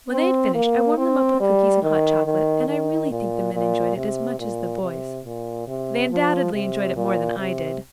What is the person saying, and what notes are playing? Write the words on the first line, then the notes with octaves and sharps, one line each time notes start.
When they had finished, I warmed them up with cookies and hot chocolate, and I really think the men enjoyed it as much as the boys; they undoubtedly enjoyed it more than I did.
C4
A#3
C4
G3
D#3
D#3
D#3
A#2
A#2
C3
A#2
C3
A#2
C3
F3
C3
A#2
C3